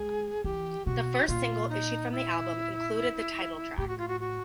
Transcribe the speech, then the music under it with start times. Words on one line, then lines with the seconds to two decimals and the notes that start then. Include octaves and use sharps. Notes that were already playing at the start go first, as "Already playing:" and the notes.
The first single issued from the album included the title track.
Already playing: G#3 G#4
0.44 E3 G4
0.86 B2 F#4
1.27 A#2 F4
1.69 D#4
2.12 E4
3.78 A2 G4
3.88 F#4
3.98 F4
4.08 F#4
4.20 F#4